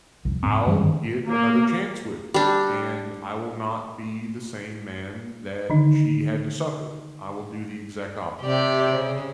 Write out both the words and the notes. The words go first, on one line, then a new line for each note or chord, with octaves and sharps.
I'll get another chance with her, and I will not be the same man that she had to suffer. I will do the exact opposite,
C2 F2
G#2 C4
G2 E3 G3 G#3
D#3
A#3
G3 D4
D3 D#3 D#4
C3 G4 D5
C#3